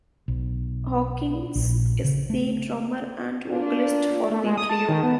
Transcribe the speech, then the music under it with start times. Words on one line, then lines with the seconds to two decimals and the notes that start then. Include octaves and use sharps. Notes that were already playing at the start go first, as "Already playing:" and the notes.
Hawkins is the drummer and vocalist for the trio.
0.28 B1
1.55 A#1
2.04 C#3
2.30 A3
3.50 A#3 D4 F4
4.30 A3
4.44 G#3
4.58 D#6
4.69 A5
4.89 D#3
5.03 B3